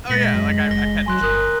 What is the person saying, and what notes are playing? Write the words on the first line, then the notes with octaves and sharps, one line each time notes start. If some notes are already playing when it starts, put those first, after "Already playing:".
Oh yeah, like I I pet the cheetah.
A#2 G#3 A#6 B6 F#7
F#2
F#1 A#6 G7
F#3 G#5 C6 F#6
G1 A#4 D#6 F#6 F#7